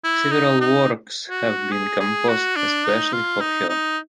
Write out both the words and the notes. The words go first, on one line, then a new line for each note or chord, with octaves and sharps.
Several works have been composed especially for her.
E4
D#4
D#4
F#4
G#4
G#4
F#4
D4
D#4
F4
D#4
D#4